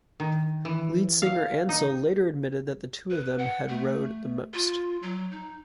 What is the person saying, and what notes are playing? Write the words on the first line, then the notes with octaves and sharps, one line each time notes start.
Lead singer Ansell later admitted that the two of them had rowed the most.
D#3
E3
F5
D#4
B4
F#5
A3
F4
F#3
D#4